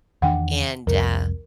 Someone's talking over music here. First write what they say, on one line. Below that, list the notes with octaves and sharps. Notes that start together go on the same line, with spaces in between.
and, uh,
E2 D#3 D4 F#5 G5
C2 F2 A#4